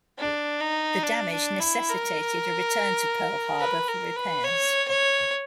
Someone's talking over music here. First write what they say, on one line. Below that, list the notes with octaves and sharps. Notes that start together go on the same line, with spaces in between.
The damage necessitated a return to Pearl Harbor for repairs.
D4
D#4
D4
D4
E4
A#4
B4
A#4
B4
C#5
C#5